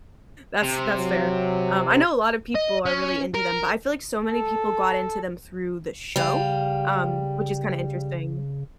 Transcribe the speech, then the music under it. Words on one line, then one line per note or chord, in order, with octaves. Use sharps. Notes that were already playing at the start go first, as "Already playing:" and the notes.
that's that's fair. Um, I know a lot of people are really into them, but I feel like so many people got into them through the show, um, which is kinda interesting.
C3
F#3
D#5
C#4
A#4
A4
C#3 G3 F5